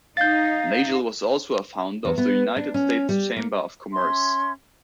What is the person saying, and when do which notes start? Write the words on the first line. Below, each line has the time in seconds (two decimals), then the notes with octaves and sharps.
Nagel was also a founder of the United States Chamber of Commerce.
0.17 D#4 F5 G6 A6
2.05 E2
2.18 B3
2.56 D4
2.74 C#4
3.09 G3
3.37 A#3
3.93 C#4 E5 C6